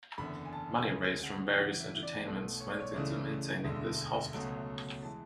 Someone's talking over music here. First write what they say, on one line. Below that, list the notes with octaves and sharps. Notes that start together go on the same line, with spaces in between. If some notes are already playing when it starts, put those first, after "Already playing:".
Money raised from various entertainments went into maintaining this hospital.
F#1 E2 D3 B5
G#5
A5
D2 C#3 G#3 G#5
F#5
E2 C#3 E3 F#5
E5
E5
D5
B1 B2 A3 B4
C#5
D5
C#5
C#2 C#3 E3 A3 D5
E1 D2 D3 G#3
C#2 B2 F#3 A3
E3 G#3 A5